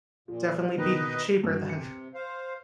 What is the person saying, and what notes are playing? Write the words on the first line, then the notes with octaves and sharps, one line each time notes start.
definitely be cheaper than
A#2 F3
B2 D#3 D#4 B4 D#5
G2 F#4
C3 C#7
C5 F5